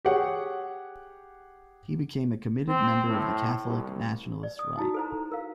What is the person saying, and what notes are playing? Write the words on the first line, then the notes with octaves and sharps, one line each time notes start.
He became "a committed member of the Catholic nationalist right".
G4 G#4 C#5 F#5
C4
A2
C2
D5
D#6
D#4 E4 F#4
A4 C5 A#5
A#4 F5